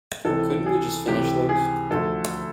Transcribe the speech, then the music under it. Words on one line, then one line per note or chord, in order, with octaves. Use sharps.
Couldn't we just finish those?
C#2 C3 E3 A4
G#4
C#2 C3 E3 G4
G#4
D2 D3 F3 A4